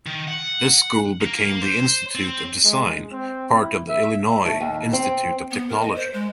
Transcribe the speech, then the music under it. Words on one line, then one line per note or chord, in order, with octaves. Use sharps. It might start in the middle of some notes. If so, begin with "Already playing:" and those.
This school became the Institute of Design, part of the Illinois Institute of Technology.
D#3
F#5
A#3
C5
C4
G#3
C4
E4
E5
A3
D#2
C4
B3
A#4
D#5
C5
G#3